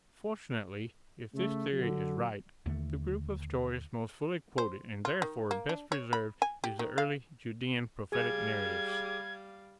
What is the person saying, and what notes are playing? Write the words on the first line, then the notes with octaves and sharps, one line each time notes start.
Fortunately, if this theory is right, the group of stories most fully quoted and therefore best preserved is the early Judean prophetic narratives.
C#3 A3
D3 F#3
D#2 D3 A3
C5
F4
D#3
A#3
D4
C#5
B5
G#5
G4
D#3
F5
G3 G#4 F5 G#6